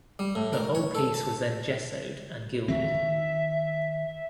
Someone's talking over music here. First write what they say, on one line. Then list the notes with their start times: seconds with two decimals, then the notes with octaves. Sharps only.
The whole piece was then gessoed and gilded.
0.19 G3
0.35 A2
0.53 A#4
0.75 C#5
0.95 A4
1.14 A5
2.68 E1 D#3 C4 E5
2.94 D#3